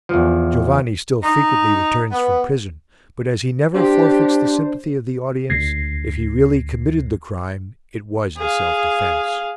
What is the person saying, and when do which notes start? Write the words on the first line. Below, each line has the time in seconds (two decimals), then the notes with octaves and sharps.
Giovanni still frequently returns from prison, but as he never forfeits the sympathy of the audience, if he really committed the crime it was in self-defence.
0.09 E2 F3
1.22 D#4
2.10 B3
3.74 D4 G4 C5
5.50 D2 G#6 A#6 C7
8.37 G#4 F5